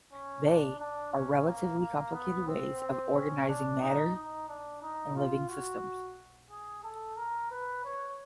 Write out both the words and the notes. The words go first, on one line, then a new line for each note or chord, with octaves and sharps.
They are relatively complicated ways of organizing matter and living systems.
C#4
D4
D4
C#4
A#3
A#3
B3
C4
C4
C#4
D4
D#4
D#4
D4
D#4
F4
F#4
G#4
A4
A#4
B4
C#5